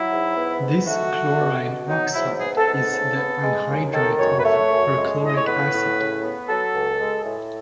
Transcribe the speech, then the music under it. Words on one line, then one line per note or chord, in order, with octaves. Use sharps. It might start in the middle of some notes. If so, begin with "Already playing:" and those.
This chlorine oxide is the anhydride of perchloric acid.
Already playing: F#3 E4
G#2
B3
G#2
A3 F#4
A3
B2
B2
F#3 D#4
G#2 E4
B3 G#4
A4
G#2
A4
C#3
B3
G#3
D#2
D#3 A4
F#2 C#5
B4
A3 C#5
F#2
G#3
A2
D#5
C#5
B3 B4
A2
C#3
B3
F#3 A4
C#2
G#3
A2